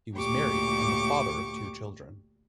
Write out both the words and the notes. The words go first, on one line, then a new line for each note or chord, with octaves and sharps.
He was married and the father of two children.
D2 A#2 G4 C#6 D6